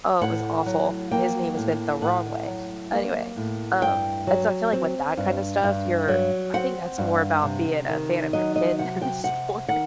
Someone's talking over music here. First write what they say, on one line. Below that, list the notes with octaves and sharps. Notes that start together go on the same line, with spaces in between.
Oh, it was awful. His knee was bent the wrong way. Anyway, um, and so I feel like with that kinda stuff, you're I think that's more about being a fan of your kid than a sport.
A2 F#5
F#3
A#3 G5
A2
A2 F#5
F#3
A#3
A2
G2 G5
F#3
C4
G2
G2
F#3
C4 F#5
G2
C3
D#3
F#3 D#5
D#5
C3 F#5
G5
C3 F#5
D#3 F#5